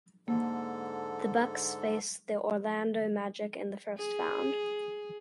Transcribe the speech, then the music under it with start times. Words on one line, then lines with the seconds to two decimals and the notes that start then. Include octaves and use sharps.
The Bucks faced the Orlando Magic in the First Found.
0.28 G#2 D3 A#3 A4
3.98 G#4